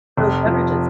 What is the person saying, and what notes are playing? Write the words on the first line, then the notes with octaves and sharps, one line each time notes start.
those beverages.
F1
F3